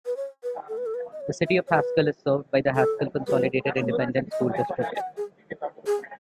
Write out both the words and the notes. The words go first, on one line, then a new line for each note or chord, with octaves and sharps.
The City of Haskell is served by the Haskell Consolidated Independent School District.
B4
C#5
B4
A4
B4
A4
B4
D#5
C#5
E5
C#5
B4
A4
B4
C#5
D#5
G#5
G#5
G#5
F#5
G#4
G#4